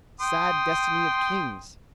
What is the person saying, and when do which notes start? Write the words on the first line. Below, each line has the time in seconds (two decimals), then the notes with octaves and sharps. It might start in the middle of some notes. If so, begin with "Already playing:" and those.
Sad destiny of kings!
0.21 G5 C6 D#6